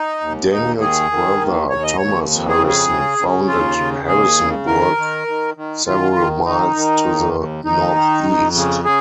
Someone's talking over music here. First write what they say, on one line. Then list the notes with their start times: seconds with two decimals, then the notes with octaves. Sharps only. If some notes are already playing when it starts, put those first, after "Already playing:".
Daniel's brother Thomas Harrison founded Harrisonburg several miles to the northeast.
Already playing: D#4
0.21 D#2
0.51 D#2 D#4
0.81 D#3 G#4
1.11 D#3
1.41 D#2
1.70 D#2 C#5
1.83 D#5
1.97 D#2 C#5
2.30 F2
2.49 G#4
2.59 C#3
2.69 G#4
2.89 C#3
3.18 C#3
3.48 D#2 F4
3.78 C#3
4.08 D#2 G#4
4.38 C#3
4.67 D#3 A#4
4.97 D#3
5.28 D#3
5.57 D#3
5.87 D#3 F4
6.17 D#3
6.45 D#3 D#4
6.76 D#3
7.06 D#2
7.35 D#2
7.65 D#2 D#4
7.95 D#3
8.24 F2
8.55 C#3
8.85 C#3 G#4